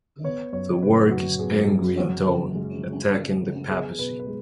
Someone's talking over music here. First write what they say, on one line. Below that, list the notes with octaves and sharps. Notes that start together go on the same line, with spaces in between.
The work is angry in tone, attacking the papacy.
B3 C#5
F#2 C#5
C#3 B4
F#2 F#4
B3 G#4
F#2 G#4
C#4 F#4
C#3
G#3
C#3
C#4
C#3
B3 G#4
B2 B4
B4
G#3